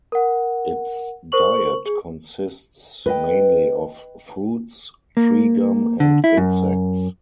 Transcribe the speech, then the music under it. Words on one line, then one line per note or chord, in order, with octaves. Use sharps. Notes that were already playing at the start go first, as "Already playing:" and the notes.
Its diet consists mainly of fruits, tree gum and insects.
A#4 F#5
A#4 C5 C#6 F#7
G#4
B4 D#5 E5 G5
A#3
D3
E4
F#2